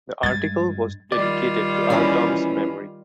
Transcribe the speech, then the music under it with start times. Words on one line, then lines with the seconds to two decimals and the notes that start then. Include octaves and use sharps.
The article was dedicated to Altom's memory.
0.23 G2 G#3 G#6 A6
1.12 D#3 G3 F4 D5
1.90 E3 C#4